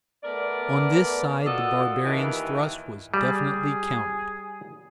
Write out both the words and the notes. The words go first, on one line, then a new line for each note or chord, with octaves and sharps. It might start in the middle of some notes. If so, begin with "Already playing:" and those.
On this side the barbarians' thrust was definitely countered.
A3 B3 A#4 D5
F4 F#4 A4 A#4 D5 D#5
G2 A#2 D#3 E3
G3 G#4